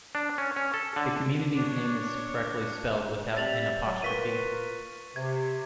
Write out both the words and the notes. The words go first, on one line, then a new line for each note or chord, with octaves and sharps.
The community's name is correctly spelled without an apostrophe.
D4
C#4
C#4
A4
D3
D4 C#5
G3 C4 E5 A6 F7 F#7
F#3
F4 A#4 B4 C#6 B6 D#7
C3 G#6